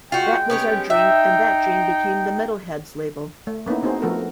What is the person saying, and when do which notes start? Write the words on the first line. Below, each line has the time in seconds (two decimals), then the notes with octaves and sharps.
That was our dream and that dream became the Metalheadz label.
0.12 G#3 F4 F#4 G5
0.50 B3 C#4 G4
0.90 D#4 E5 G5
3.47 A3
3.66 A#3 B3 C#4 D#4 E4
3.82 A#3 C4 D#4 F#4 G#4 C5
4.02 F3 A3 B3 F#4 A4 A#4